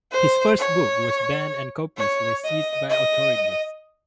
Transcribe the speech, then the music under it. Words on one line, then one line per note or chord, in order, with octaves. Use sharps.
His first book was banned and copies were seized by authorities.
C5
C#5
C#5
D#5
D#5